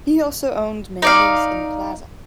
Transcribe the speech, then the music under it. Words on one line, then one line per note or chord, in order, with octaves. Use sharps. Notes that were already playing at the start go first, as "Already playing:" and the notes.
He also owned Manetti's in the Plaza.
D#4 D5 F5